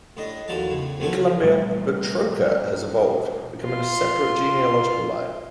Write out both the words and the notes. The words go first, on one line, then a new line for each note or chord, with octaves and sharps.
In Colombia the "trocha" has evolved, becoming a separate genealogical line.
A1 A2 D4 D#5
A1 D#2 F3 F#3 D5 A5
E2 A2 C#3
F3 F#3 A3 B3 A4 G#5
A#2 E3 G3 A3
F4 C6